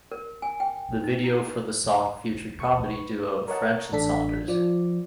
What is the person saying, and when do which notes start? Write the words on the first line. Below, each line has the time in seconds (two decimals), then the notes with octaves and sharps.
The video for the song featured comedy duo French and Saunders.
0.12 A#4
0.42 G#5
0.60 G5
1.04 D#4
1.24 E4
2.60 B4 C#6
3.48 A#4 C#5 D#5 F#5 A5
3.92 A1 D4 A4 B6
4.48 F3 D5